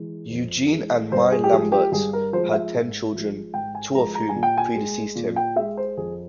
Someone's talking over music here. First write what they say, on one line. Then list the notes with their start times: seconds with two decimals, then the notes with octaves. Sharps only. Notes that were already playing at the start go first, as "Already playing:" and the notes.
Eugene and Mai Lambert had ten children two of whom predeceased him.
Already playing: E3 G#3
0.30 F2
0.71 E3 G#3
1.12 G2 C5
1.32 G#4
1.44 G4
1.52 F3 G#3 G#4
1.72 G4
1.92 G2 G#4
2.13 A#4
2.33 F3 G#3 C5
2.53 E5
2.73 G#2
3.14 F3 G#3
3.54 G#2 G5
3.75 G#5
3.95 F3 G#3 A#5
4.15 A#5
4.29 G#5
4.35 A#2
4.43 G5
4.58 G#5
4.75 G#3
5.16 A#2
5.36 G5
5.56 G#3 E5
5.77 C5
5.97 F2 G#4